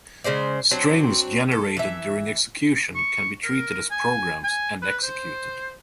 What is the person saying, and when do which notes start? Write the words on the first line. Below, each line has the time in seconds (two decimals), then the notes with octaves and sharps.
Strings generated during execution can be treated as programs and executed.
0.24 C#3 G#3 C5 D5
0.71 F#3 C4 D4
1.51 A4
1.77 E3 E5
2.95 C#6
3.44 A#4
3.91 G#5
4.44 G#5
4.82 B4
5.03 C5